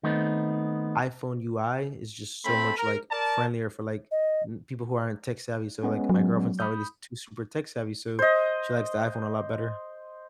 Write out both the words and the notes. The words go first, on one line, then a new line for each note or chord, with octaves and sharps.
iPhone UI is just so much, like, friendlier for, like, n people who aren't tech-savvy, so, like, my girlfriend's not really too super tech-savvy, so she likes the iPhone a lot better.
D#3 A3 B3 C4 D#4
A3 C4 A4 B5
A#4
A#4 D5 A5
D#5
G#3 B3 C#4
F#3
B5 D#6 G6
C5 D#5